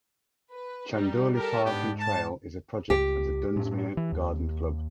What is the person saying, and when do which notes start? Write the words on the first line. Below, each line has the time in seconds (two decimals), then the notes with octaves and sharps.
Tuahindauli Park and Trail is a project of the Dunsmuir Garden Club.
0.51 B4
0.90 G3 D#4
1.35 G4 A4 A#4
1.64 G#2 B3 D4 G4
2.00 A5
2.90 C#2 G4
3.56 A2 C#4 D4
3.97 E3
4.12 D#2